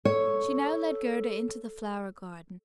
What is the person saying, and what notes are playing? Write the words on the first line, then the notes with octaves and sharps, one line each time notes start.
She now led Gerda into the flower-garden.
A4 C#5